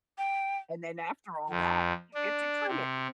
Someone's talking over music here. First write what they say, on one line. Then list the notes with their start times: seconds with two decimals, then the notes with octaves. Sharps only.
And then, after all that, you get to trim it.
0.18 G5
1.50 F2
2.14 D4
2.68 C3